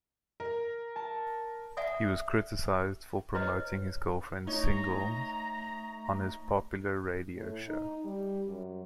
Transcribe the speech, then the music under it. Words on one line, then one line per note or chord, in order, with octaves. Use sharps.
He was criticised for promoting his girlfriend's single on his popular radio show.
A#4
A5
D5 E5 F#5 G#5 D#6
E4 B4 C#5 D#5
A3 D#4 C#5 A#5
A2
D#4
G3
F#2